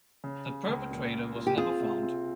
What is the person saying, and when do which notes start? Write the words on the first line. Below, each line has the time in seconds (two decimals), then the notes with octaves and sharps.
The perpetrator was never found.
0.24 C#3
0.46 C#3
0.69 C#2
0.91 A#2
1.13 A#3
1.35 F4
1.47 G4
1.57 C4 F4 G#4
1.80 C3
2.03 C4